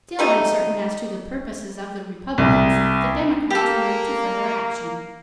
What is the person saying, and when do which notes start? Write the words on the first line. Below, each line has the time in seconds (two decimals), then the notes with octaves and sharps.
Still uncertain as to the purposes of the Republicans, the Democrats were moved to further action.
0.19 G3 A3 D#4
2.38 C2
3.50 A#3 G4 A4